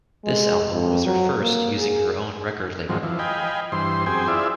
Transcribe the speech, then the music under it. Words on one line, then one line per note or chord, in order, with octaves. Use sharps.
This album was her first using her own record label.
G#3
F2
F#3
A#3
G#4
G#2 D#3 F3 F#3 C4
E3 F3
D#5 F5 G5 G#5 B5
G2 E3 C5 C6
F#2 C4 G#4 C5 G5 G#5
E4 F4 G#4 D5 E5